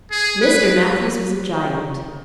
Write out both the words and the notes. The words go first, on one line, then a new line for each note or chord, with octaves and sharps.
Mr. Matthews was a giant.
G#4
B4